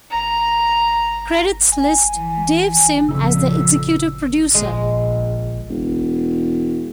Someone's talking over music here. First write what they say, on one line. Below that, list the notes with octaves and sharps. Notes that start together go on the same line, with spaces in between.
Credits list Dave Sim as the executive producer.
A#5
G#5
E3
F2 A#2 C#3 E6
A#1 G#3
E1